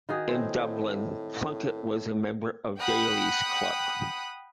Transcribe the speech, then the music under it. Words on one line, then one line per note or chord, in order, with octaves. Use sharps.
In Dublin, Plunket was a member of Daly's Club.
D#3 F#4 G#4
A2 C4
F#5 G5 B5 D#6 F#6